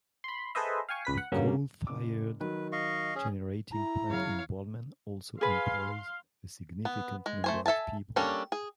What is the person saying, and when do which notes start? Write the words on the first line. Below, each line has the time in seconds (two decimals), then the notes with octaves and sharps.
A coal-fired generating plant in Boardman also employs a significant number of people.
0.24 B5 C6
0.55 G#4 A4 B4 C5 D#5 E5
0.89 F5 G5 G#5 C#6
1.05 C#2 B4 B6
1.18 F#5
1.32 G2 C#3 F#3 A#3
1.87 F#1 D6
2.40 D#3 F#3 B4
2.72 D#5 F5 C#6
3.16 C#4 G#4
3.72 E4 A#5
4.10 F#2 C#3 F#3 C#5 F5
5.41 G#4 B4 F5 C6
6.85 B3
7.26 G#3
7.44 A3 C5 G#5
7.66 A4 E5 G#5 A5
8.16 G3 A#3 C#4 D4 A4
8.52 G#4